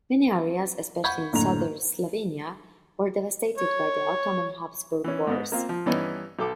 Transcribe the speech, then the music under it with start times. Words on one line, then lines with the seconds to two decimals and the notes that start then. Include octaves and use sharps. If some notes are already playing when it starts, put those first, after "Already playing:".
Many areas, especially in southern Slovenia, were devastated by the Ottoman-Habsburg Wars.
1.04 F#5 B5 C#6 G6 G#6
1.33 F#1 A2 D3 A#5 F7
3.58 C#5
5.04 E3 C#4
5.27 G#2 B3 D#5
5.52 A#3 C4 F4
5.69 F3
5.86 G2 E3 B3 C#4 D#4
6.39 B1 A4 D6